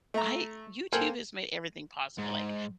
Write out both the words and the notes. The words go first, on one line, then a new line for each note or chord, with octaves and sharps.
"I YouTube has made everything possible, like,
A3 E5 A#5
A#3 A4 A#4 C5 G5 G#5
G#2